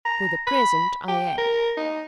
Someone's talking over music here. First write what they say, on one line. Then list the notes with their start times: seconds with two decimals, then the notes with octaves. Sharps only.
"For the present I am."
0.05 A#5
0.47 B5
1.08 G5
1.38 A#4
1.77 D#4